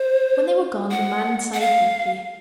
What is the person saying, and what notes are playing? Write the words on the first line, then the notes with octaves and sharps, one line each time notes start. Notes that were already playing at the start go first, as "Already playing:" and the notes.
When they were gone, the man sighed deeply.
Already playing: C5
F#5
F#5
F5